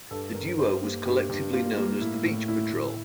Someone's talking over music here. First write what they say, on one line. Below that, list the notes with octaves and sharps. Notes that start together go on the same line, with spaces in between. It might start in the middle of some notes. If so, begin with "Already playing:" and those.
The duo was collectively known as The Beach Patrol.
G2 A4
G2 A#4
G2 C5
A#3 G4
G2 G4
G2
A#3 F4
A#3
A2 E4
A2
A2 E4
A2